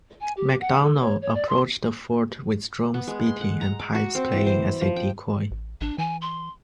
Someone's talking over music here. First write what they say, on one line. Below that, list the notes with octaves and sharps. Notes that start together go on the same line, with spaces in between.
McDonald, approached the fort with drums beating and pipes playing as a decoy.
G#5
G4
F#5
A4
C#5
C#5
D5
C6
B3
G#3
C6
F#5
A#5
D6
F#4
C4
E3
C5
F3
G5
A1
A1 D4
E3 G#5
C6